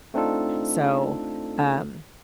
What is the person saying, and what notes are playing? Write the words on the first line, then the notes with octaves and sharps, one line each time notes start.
So, um,
A3 C4 D4 D#4 F4 A4